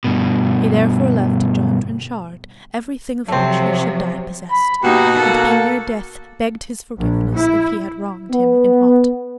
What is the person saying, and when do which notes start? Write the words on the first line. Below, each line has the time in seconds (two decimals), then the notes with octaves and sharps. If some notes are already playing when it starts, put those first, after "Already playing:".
He therefore left to John Trenchard everything of which he should die possessed, and being near death begged his forgiveness if he had wronged him in aught.
0.04 G2 B2
3.28 C3 F3 F#3 A3 C4
4.51 B5
4.83 B2 A#3 D#4 F#4 G4
5.17 A#3 A4
6.98 A#1
7.36 E4
8.31 B3